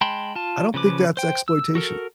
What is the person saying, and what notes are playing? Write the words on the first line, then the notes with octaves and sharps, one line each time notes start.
I don't think that's exploitation.
G#3 G5 A5 B5 C6
F4 A5
C#3 F3 B4 D6
C5 G5
E6
F#4 A4 A#4